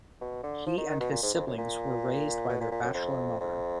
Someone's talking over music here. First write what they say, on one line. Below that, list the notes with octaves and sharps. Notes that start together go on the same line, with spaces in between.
He and his siblings were raised by their bachelor mother.
B2
D3
F3
D#3
D#3
B2
A#2
G#2
F2
F#2
A#2
B2
A#2
A#2
F#2
F2
F2